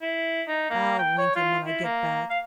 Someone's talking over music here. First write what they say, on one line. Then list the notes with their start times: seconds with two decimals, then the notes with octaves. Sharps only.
I'll wink him when I get back.
0.02 E4
0.48 D#4
0.70 A#3
0.99 G5
1.18 C#5
1.36 F4
1.66 E4
1.84 A#3
2.30 F5